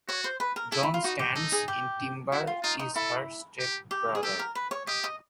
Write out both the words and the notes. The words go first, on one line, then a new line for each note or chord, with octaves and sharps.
John Stands In Timber is her step brother.
F#4 C#5
C5
B4
A#4
E4 A4
E4
F4
D#4 F#4
G4
D#4 A4
G#4
G4
E4 F#4
F4
D#4 F4
D#4
E4 A4
G4
G4
G#4
G4 A4
A#4
B4
C#5
G4 D#5
D#5